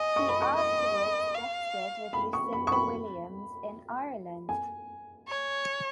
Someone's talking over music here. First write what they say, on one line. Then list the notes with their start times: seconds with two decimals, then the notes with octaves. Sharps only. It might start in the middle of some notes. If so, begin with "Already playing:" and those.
He afterwards guested with Lucinda Williams in Ireland.
Already playing: D#5 G#5
0.16 C#6
0.28 B5
0.42 C#6
0.56 D#5
1.34 F5
2.13 B5
2.33 C#6
2.53 B5
2.67 C#6
2.72 B5
4.49 G#5
5.28 C#5